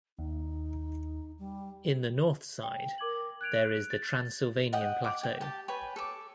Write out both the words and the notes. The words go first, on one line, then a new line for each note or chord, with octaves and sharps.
In the North side there is the Transylvanian Plateau.
D#2 D#4
G3
G5
A#4 D6 G#6 F#7
F#6 G#6 D7 F7
A6
D#5 F#5 G5 D#6
D6
G5
G4 A5
B4 C#5 G5 G#5
A4 D6